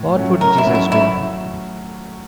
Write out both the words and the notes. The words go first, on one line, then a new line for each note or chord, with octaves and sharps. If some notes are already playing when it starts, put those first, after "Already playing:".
What would Jesus do?
Already playing: A2
F#3 A3 C#4
A2 A#4
E4
F#3 A3 C#4
E4
E4